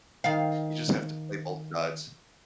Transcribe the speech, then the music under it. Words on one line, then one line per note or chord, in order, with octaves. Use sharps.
you just have to play both sides.
D#3 F5